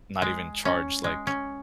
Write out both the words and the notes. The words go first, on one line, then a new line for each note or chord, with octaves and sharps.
not even charge, like
G#3
C#4
G#3
C#4